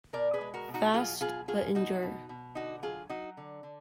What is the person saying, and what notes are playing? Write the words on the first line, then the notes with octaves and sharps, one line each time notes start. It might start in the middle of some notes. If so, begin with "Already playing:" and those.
Fast, but endure.
B2 A#4 D5
G#4 B4
G#3
F#4 A#4
B2
D#4 F#4
F#3 F4 G#4
B2 F4 G#4
F#3 F4 G#4
B2 D#4 F#4
B2
B2
D3 D#4 F#4
F#3 F4 G#4
F#3 D#4 F#4
D3
D3